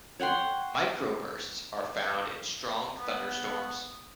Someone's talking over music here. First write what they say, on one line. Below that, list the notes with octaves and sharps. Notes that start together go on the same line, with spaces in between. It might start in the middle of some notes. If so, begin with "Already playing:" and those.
Microbursts are found in strong thunderstorms.
C#5 F#5 G5 C6
B3